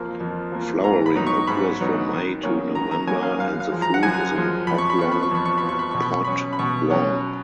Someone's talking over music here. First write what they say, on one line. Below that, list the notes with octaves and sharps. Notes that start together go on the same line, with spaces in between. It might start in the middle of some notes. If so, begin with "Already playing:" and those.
Flowering occurs from May to November and the fruit is an oblong pod long.
Already playing: F2 F3 A#3
F2
F3 A#3
G#2 A#5
B5
F#3 B3 D#4
C#6
G#2 B5
F#3 B3 D#4
D#3
F#3 A#3 C#4
D#3 A#5
A#5
F#3 A#3 C#4 G#5
F5
F#2 F5
F5
F3 G#3
A#5
F#5
F#2 G#5
F3 G#3
F2 B5
C#6
B5
F3 B3 C#6
B5
C#6
F2 B5
C#6
B5
F3 B3
C#6
B5
B2 C#6
B5
C#6
F#3 C#4 B5
B5
B2 C#6
F#3 C#4